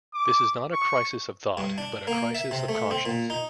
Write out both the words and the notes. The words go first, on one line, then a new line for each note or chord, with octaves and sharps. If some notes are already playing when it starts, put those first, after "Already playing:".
This is not a crisis of thought, but a crisis of conscience.
D6
C#6
G2
D4
A#3
E5
C3
A3
C4
A#2
D#4